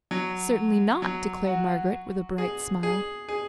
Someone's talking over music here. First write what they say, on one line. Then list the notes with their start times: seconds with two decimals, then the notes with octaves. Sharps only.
"Certainly not," declared Margaret, with a bright smile.
0.11 F#3
1.02 F#3
1.47 F#4
2.38 G#4
2.83 G#4
3.29 G#4